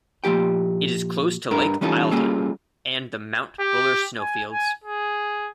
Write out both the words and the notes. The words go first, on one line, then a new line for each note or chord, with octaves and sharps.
It is close to Lake Eildon and the Mount Buller snowfields.
A#2 F3 G4 G5
G2 D4 A#4 B4
E3 G3 C#4 D#4 F4 A4
G3 A#3 C#4 F4 G#4 A4
G4
G#5
G#5
G#4